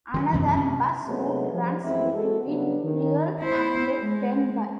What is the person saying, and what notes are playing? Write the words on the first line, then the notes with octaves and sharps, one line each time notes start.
Another bus route runs between Rhyl and Denbigh.
D#3 E3 F#3
F#2 C3 E3
C3 C#4
C3 F#3 G#3 A3 B3 D4
F3 G3
F#2 E3 G#3 C4 E4
G#3 F#4 A4
C#3 F#3 G3 B3 D4
D#3
E4 C5
G#3